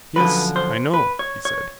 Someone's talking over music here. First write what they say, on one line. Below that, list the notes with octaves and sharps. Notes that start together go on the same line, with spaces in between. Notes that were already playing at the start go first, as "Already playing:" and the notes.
Yes, I know, he said.
F#2 D3 F3 B4
C5
B4
C#5
C#5